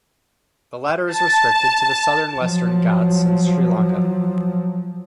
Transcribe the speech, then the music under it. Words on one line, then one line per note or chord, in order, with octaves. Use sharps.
The latter is restricted to the southern Western Ghats and Sri Lanka.
A5
F3 F#3